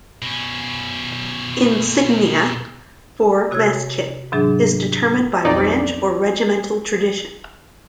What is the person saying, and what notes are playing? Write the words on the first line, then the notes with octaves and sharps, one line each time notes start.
Insignia for mess kit is determined by branch or regimental tradition.
B2 C#4
C3 F#4 C#5 E6 G#6
G#2 C3 E3 F#3 D4 G#4
B1 F2 D#4 D5